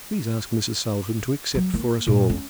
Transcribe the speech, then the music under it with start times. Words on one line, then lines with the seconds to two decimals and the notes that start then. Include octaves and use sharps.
"Please ask Mrs. Salton to accept for us all."
1.55 F#3
1.74 A#3
2.07 A#2
2.29 C#4